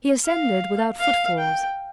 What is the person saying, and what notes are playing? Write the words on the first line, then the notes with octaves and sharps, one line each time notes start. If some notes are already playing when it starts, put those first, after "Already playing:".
He ascended without footfalls.
F5
F5
G5